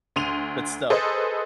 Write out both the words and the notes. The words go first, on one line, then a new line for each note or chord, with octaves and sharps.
but still.
D2 C6 D#7 F7
G#4 A4 B4 C5 D#5